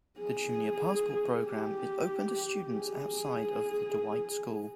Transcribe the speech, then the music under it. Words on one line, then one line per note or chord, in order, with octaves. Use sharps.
The Junior Passport Program is open to students outside of The Dwight School.
G#4
G4
G#4